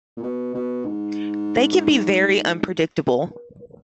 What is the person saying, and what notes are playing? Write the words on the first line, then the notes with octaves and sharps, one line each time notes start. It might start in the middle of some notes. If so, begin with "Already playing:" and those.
They can be very unpredictable.
A#2
B2
B2
G#2